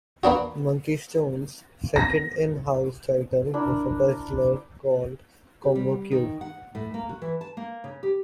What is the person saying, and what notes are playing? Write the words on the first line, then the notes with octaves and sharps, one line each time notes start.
Monkeystone's second in-house title was a puzzler called "Congo Cube".
A#3 B3 D4 F#4
A#6
D4 E4 A#4
G4
G3
D#3
F#5
A2
A#3
F#4
E3
A5
A#3
C#3
G4